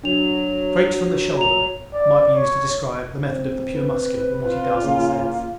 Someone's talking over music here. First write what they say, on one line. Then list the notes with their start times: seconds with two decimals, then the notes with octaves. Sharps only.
"Straight from the shoulder" might be used to describe the method of the pure Muscular in what he does and says.
0.04 F#3 D4 F7
1.38 A#5 F7
1.94 D5
2.35 C#5
3.28 C4
3.73 B4
4.47 F4
4.83 C#3 A#3